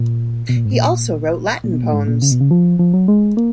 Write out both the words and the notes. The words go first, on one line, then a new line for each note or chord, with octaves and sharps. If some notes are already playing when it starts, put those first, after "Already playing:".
He also wrote Latin poems.
Already playing: A#2
B2
A#2
G#2
A#2
A#2
B2
A#2
G#2
A#2
C#3
B2
C#3
F3
F3
F#3
G#3
A#3